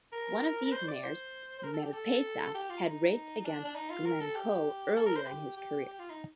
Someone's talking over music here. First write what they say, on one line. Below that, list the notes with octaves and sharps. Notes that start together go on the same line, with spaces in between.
One of these mares, Marpessa, had raced against Glencoe earlier in his career.
A#4
A#4
C5
D5
C5
C5
A#4
A4
G4
A4
G4
F4
D#4
D4
D4
D#4
F4
A#4
A4
G4
A4
A#4
C5
G4
G4
G4
F4
D#4